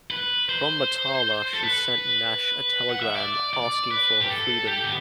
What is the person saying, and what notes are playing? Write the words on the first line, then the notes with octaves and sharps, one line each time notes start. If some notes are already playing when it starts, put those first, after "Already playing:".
From Matala, she sent Nash a telegram asking for her freedom.
B4
C5
A4
B4
F#5
E5
D5
D5
B4
G4
A4
G4
B3